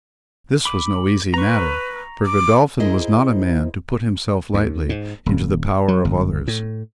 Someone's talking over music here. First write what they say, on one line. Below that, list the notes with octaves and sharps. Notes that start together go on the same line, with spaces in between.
This was no easy matter; for Godolphin was not a man to put himself lightly into the power of others.
B5 D6
B4 A#5 C#6
D6
E4 G#4 A#4 C5 D#5
D#2
G#2
D#1
F#3
G1
A2